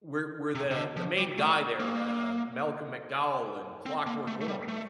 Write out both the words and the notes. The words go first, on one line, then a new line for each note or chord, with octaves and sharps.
we're we're the the main guy there, uh, Malcolm McDowell in Clockwork Orange,
C3
C3
D3
F3
G3
A3
A#3
C4
A#3
A3
A3
G3
A3